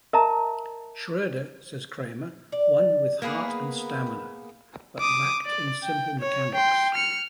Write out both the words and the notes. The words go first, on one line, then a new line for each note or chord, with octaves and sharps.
Schroeder, says Kramer, won with heart and stamina, but lacked in the simple mechanics.
A#4 D#5 E5 A5 A#5
D5
A#3 B3 G#4 B4
D6 D#6
D5
G5
C#5
G5 C6
F6 C#7